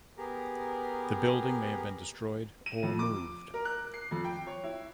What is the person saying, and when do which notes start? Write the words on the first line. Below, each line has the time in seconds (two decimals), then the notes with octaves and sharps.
The building may have been destroyed or moved.
0.18 B3 G4 G#4 A#4 A#5
2.66 D#7
2.83 F2
2.99 D6
3.54 A#4
3.65 F#6
3.94 C7
4.11 F2
4.25 G5
4.47 C#5
4.64 E4